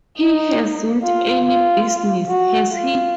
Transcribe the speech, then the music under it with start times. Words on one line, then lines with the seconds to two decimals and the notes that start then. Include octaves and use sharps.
He hasn't any business, has he?
0.19 D#4
1.03 F4
1.45 F4
2.28 F#4
2.71 F4